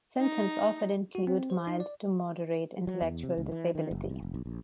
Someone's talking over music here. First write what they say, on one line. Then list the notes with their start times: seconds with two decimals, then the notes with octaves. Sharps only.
Symptoms often include mild to moderate intellectual disability.
0.18 D#4
1.15 F#4
1.27 C4
1.50 C5
1.67 D#4
1.80 D5
2.87 F#3
3.01 E2
3.23 C3
3.38 C#2
3.52 E3
3.75 D#3
3.91 F#1
4.10 C2
4.23 F1
4.34 B1
4.46 A#1